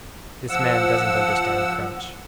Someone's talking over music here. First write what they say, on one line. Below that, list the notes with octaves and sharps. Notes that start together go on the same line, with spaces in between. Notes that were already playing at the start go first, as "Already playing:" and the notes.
"This man doesn't understand French."
F3 F#5 E6